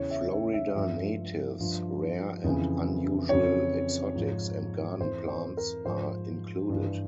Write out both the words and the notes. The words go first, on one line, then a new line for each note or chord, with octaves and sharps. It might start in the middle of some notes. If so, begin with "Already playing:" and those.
Florida natives, rare and unusual exotics and garden plants are included.
Already playing: E2 C#3 E3 C#5
E5
E5
E5
G2 F3 E5
G2 F3
F2 C#3 E3
F2 C#3 E3 C#5
G#2 F3
F2 E3 C5
C5
A#4
G#2 F3 C5
G2 E3